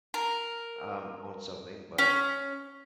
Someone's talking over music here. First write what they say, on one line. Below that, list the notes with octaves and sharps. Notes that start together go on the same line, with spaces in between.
um, on something, but,
A#4
C#4